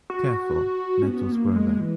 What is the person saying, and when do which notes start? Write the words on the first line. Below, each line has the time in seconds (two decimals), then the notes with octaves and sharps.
Careful, nettles grow there.
0.10 F#4
1.02 C#4
1.07 B3
1.32 A#3
1.56 G#3
1.80 E3